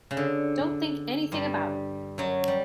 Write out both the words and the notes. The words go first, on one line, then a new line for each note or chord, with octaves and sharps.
Don't think anything about it.
C#3
D3
G2 G3
F#2 F#3
G3